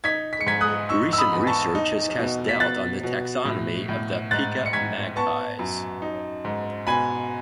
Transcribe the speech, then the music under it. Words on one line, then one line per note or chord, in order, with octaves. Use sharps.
Recent research has cast doubt on the taxonomy of the "Pica" magpies.
D#4 G#6 B6
B6
C#7
G#2 G#6 B6
D#6 F#6
D#4 C#6 E6
E6
B5 D#6
E2
A5 C#6
D#4
B2
B6
B2 F#6 A6
B2
A2
A2
G#2 F#6 A6
C#7
G#2 G#6 B6
B3 A5 C#6
F#2
D#4
G#2
B2 G#5 B5